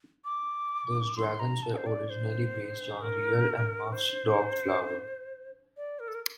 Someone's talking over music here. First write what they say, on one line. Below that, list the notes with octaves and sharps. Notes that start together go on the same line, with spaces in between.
Those dragons were originally based on Real and Muff's dog Flower.
D6
C6
A#5
A5
C5
D5
C5
A#4
C5
D5
A#4
A4
A#4